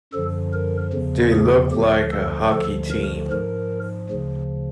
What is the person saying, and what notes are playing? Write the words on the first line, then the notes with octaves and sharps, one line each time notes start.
They look like a hockey team.
F#2 D3 F3 A4
A#4
E2 C#3 F3
G#4
D2 D3 F3 G4
A4
D2 D3 F3 A4
A#4
G#2 F3 A#4
D2 C#3 F3